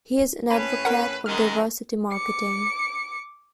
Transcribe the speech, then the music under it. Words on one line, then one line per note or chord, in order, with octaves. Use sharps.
He is an advocate of diversity marketing.
A2 C#4 B4 B5
A#4 F#5
F#2 D#3 G#3 F6
D6 C#7